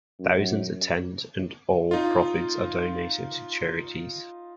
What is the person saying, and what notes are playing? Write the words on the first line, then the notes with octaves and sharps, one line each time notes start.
Thousands attend and all profits are donated to charities.
F#2
D#4 F4